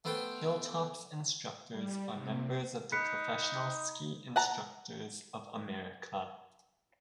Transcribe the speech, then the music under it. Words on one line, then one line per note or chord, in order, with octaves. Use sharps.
Hilltop's instructors are members of the Professional Ski Instructors of America.
A3 B3 C5 G5
G3
C3
D#4 B5 F#6 B6 C#7
F#5 A5 A#5